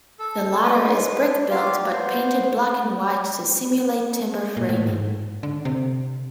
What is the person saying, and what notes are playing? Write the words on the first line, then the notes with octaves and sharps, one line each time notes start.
The latter is brick-built but painted black and white to simulate timber framing.
A4
G#3 B4
F4 G4 D5 F5
B3 C5
A#2
A2
G#2
D3
C3